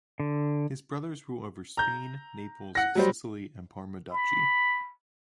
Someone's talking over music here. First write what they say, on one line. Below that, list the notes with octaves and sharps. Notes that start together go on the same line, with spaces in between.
His brothers rule over Spain, Naples, Sicily and Parma Duchy.
D3
A#5 G6
F#5 A#6
F#3 G3 C5
B5